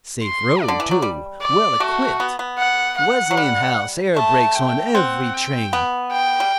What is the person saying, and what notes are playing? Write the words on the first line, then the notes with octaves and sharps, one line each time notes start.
Safe road, too; well equipped; Wesleyanhouse air brakes on every train.
C6
D5
D3
E3
F#3
G3
D5
A3 F#4
B3
B3
F#5
F#5
F#3
G3
A3 A5
G5
C4 F#5
G5
B3
G5
G3